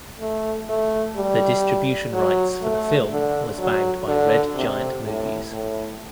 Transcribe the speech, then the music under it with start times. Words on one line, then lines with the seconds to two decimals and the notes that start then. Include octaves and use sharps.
The distribution rights for the film was bagged by Red Giant Movies.
0.20 A3
0.69 A3
1.16 G3
2.13 F#3
2.62 A3
3.10 D3
3.59 F#3
4.07 D3
4.56 C3
5.05 A2
5.52 A2